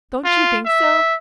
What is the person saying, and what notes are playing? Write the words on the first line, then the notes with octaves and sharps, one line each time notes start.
Don't you think so?
F4
E5